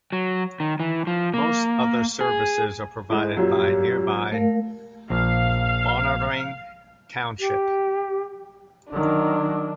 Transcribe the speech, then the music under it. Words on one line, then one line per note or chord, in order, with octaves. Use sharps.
Most other services are provided by nearby Balnarring township.
F#3
D#3
E3
F3
A#3
G#4
A2 G#3
F#2 A#2 F#3 G4
A3 A#4 F5
A#1 F5
G4
D#3 F#3 D4